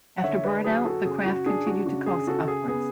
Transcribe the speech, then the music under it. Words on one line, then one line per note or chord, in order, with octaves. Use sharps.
After burn-out the craft continued to coast upwards.
F#5
D3 C#5 E5
B4 D5
F#3 G#4 B4
F#4 A4
C#3 G#4
F#4
D4 G#4
F#4
C#3 F#4
G#4
C#3 F#4 A4
F#4
G#4
B3 G#4